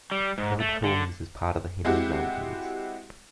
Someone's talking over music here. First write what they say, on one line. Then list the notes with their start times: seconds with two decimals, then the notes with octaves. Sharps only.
Mount Holmes is part of the Henry Mountains.
0.11 G3
0.38 G#2
0.60 A3
0.84 D3
1.85 G#3 C4 E4 F#4 G4